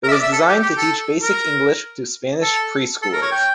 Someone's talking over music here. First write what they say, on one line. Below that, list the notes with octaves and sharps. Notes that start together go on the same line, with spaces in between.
It was designed to teach basic English to Spanish preschoolers.
A#4
E5
D5
E5
A4
G4
G4
A4
A#4
A4
A4
A#4
C#5
G5